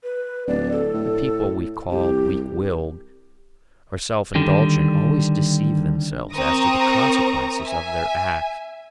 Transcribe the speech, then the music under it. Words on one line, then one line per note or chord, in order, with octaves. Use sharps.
The people we called weak-willed or self-indulgent always deceive themselves as to the consequences of their acts.
B4
D1 D5
A4
A2
C2 G4
D3 D#3 G3
C4 A#4 A#5 C#6 D#6 A#6
E5 G#5